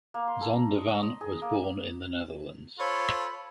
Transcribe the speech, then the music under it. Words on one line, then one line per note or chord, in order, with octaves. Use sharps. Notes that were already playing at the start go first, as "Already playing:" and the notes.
Zondervan was born in the Netherlands.
A#3
C6
A4
A#5
D#5
D#5
G#4
A#3
F4 A4 C5 C#5 B5